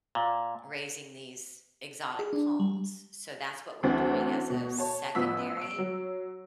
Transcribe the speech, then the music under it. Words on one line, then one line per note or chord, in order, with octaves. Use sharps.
raising these exotic palms, so that's what we're doing as a secondary.
A#2
G#4
D4
G3
D2 E3 C4 C#4 A6
B2
C#5 A5
A1 F3 B3 E6 B6
E6 D7
F#3